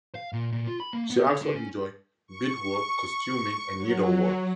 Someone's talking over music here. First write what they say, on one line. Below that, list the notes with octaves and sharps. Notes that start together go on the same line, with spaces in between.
She also enjoys beadwork, costuming, and needlework.
F5
A#2
A#2
F4
B5
A#3
B3
C#5
D3
C#4
C#6
F#3